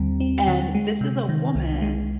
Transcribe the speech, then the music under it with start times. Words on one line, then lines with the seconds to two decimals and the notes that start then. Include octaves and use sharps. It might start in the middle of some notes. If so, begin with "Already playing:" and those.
and this is a woman
Already playing: D#2 D3 G3 C4
0.20 C4
0.48 D3
0.75 G#3
1.01 C3
1.29 D#3
1.55 C2
1.82 G#3